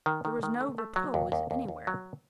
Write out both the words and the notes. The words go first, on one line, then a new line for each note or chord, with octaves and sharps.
There was no repose anywhere.
D#3
D#3
D#3
A3
A3
F#3
D#2
D#2
D#2
D#2
F#3